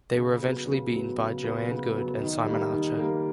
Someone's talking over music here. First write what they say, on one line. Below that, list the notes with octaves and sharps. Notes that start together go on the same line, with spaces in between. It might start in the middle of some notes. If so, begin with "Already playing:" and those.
They were eventually beaten by Joanne Goode and Simon Archer.
C#3
F#3 B3
C#3
F#3 B3
C#3
F#3 B3
C#3
F#3 B3
D#3
G3 A#3
D#3
G3 A#3